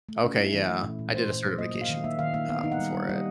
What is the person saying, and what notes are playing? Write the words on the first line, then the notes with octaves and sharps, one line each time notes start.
Okay, yeah. I did a certification f um, for it.
A3
C#4
E4
E3
A3
A#2
A#2
A#2 C5
A#2
F#3
A#3 D#5
A#3
F5
D#3
A#3 E5
D#3 F5
A#3 F5
B3 F5
D#4
F#5
G3
G3
G3 D#5